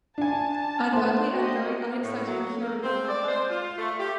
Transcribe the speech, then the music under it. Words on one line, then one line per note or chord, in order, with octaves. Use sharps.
An ugly and very unexciting curio at that!
D4 G#5 A5
A3 C5
F#4 G4 D#5
A2
F#3
A#3
C4
D5
C5
F4
A3
G4